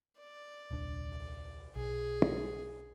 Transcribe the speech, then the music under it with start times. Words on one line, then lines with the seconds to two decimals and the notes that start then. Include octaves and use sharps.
The custom is in general the same but there are some significant variations.
0.19 D5
0.71 D#1 C2 D4
1.76 B1 G#4